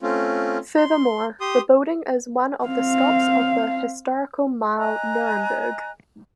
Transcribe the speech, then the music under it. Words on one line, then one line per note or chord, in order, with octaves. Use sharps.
Furthermore, the building is one of the stops of the "Historical Mile Nuremberg".
A3 C4 C#4 F4
C6
G4 C6 D#6
C4 F5
D#5 G#5 A#5 F#6